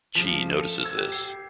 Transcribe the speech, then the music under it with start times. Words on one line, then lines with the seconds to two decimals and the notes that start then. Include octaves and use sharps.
Chee notices this.
0.15 C#3 F3 B6
0.50 A4
0.84 E6 G#6
0.97 G4
1.12 G4 C7